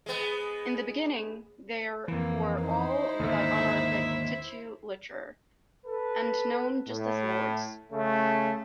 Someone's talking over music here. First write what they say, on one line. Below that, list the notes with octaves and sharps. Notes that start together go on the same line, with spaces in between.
In the beginning, they were all without honorific titulature, and known just as "lords".
G#3 B3
F2 E3 A#3
D#4 E4 C5
D#2 G#2 D3 E5
A4 B4
A2
C#3 A3